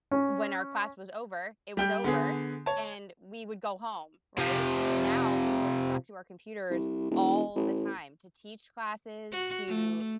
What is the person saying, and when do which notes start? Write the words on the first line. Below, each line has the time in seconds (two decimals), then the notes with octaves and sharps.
when our class was over, it was over, and we would go home, right? Now we were stuck to our computers all the time to teach classes, to
0.11 C#4
1.77 G3 G5 G6
2.04 D3 B3 G#4
2.66 C#5 A5
4.38 C3 F3
6.70 C2
7.11 E1
7.56 A1
9.32 F#4
9.68 A3